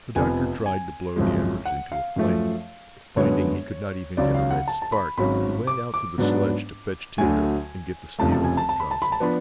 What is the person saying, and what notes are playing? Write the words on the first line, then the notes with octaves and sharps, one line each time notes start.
The Doctor tried to blow the embers into a flame, but finding he could not even get a red spark, he went out to the sledge to fetch tinder, and get the steel from Johnson.
F1 F2 F3 B3 G#5
G#5
G#1 F#2 F3 G#3
F#5
F5
F#2 F3 A3
F#2 D3 G#3 B3 C#5
C#2 C#3 F#3 C#4 D5
F5
F#5
A5
A5
B5
G#1 G#2 F#3 C#4 B5
D6
D6
G#2 F#3 B3 D4
D2 D3 F#3 A3 G#5
F1 F2 C#3 F3 A3 A5
A5
G#5
A5
A5
B5
A5
B5
A5
F3 B3 D4 B5